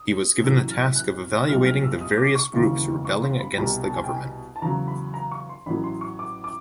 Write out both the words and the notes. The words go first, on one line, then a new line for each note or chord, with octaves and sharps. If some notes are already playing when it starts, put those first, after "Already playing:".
He was given the task of evaluating the various groups rebelling against the government.
Already playing: D#6
A1 A2 F#3 E6
F6
F#6
B1 A#2 G3 F6
F6
E6
D#6
D6
C#6
E1 D#2 C#3 E3
C#6
C6
B5
C2 B2 G3 A#5
A5
G#5
G5
G#5
A5
E2 C#3 F#3 A#5
B5
A#5
C#6
C6
A1 A2 F#3 B5
C6
C#6
D6
D6